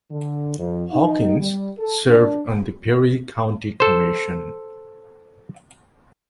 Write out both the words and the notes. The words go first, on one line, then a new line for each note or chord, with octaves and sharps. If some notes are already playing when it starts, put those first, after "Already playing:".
Hawkins served on the Perry County Commission.
D3
F2
D#4
G3
A4
D4
A4 C5